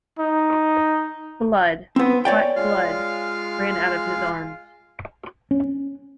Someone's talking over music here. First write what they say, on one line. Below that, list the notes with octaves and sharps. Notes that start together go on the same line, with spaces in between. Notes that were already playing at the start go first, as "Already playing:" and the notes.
Blood, hot blood, ran out of his arm.
D#4
B3 C4
C#5 D5 G5
G#3 F4 F5
C#4